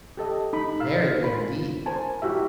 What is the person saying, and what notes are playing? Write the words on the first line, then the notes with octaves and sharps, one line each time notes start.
"Very good indeed."
G4 A4 D#5
D#4 B5
D#5 F5 E6
F4 B5 C6
A#4 C5 G#5 A5
E4 F#4 G4 E5